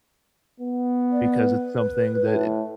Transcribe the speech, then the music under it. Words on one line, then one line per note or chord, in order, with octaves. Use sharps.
because it's something that
B3
D5
B4
A2